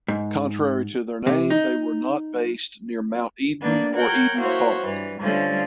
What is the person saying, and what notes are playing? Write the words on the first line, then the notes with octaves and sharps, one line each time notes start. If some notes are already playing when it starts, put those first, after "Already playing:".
Contrary to their name they were not based near Mt Eden or Eden Park.
G#2
C3
D#4
A#3 B3 D4
A#4 C#5 F#5 G5
A#3 E4 F#4 C5 C#5
G2 E3
D3 F3 G3 A3 C#4